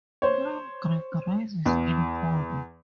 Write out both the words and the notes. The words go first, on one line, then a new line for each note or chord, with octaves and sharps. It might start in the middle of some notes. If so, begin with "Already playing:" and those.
Plum Creek rises in Holly.
C5 C#5
E2